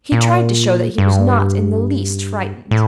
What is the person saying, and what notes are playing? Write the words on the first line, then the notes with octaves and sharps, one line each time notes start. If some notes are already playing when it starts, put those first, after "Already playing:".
He tried to show that he was not in the least frightened.
A#2
G2
A2